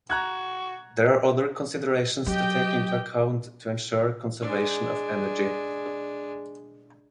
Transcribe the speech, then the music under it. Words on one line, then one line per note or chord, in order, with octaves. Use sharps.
There are other considerations to take into account to ensure conservation of energy.
F#4 A#5 F#6 G#6
F#3 G4 D#5 G5
G#3 D4